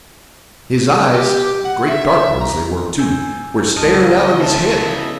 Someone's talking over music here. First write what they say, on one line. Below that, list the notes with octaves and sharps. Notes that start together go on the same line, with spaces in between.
His eyes--great dark ones they were, too--were staring out of his head.
G4
F#5
E5
A#5
G#5 E6 G6
C#2 D#5 A5 F6
C#3 B3 E4 A4 D#5 E5 A5